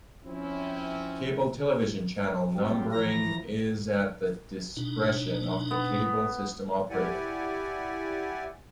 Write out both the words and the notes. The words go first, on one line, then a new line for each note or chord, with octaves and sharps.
Cable television channel numbering is at the discretion of the cable system operator.
F3 C4 C#4 E4
F#3 G3 C4 F4 G4
E3 F3 A#5 A#6
B2 D4 D#4
B3
E4 G4 D5 F#5 G#5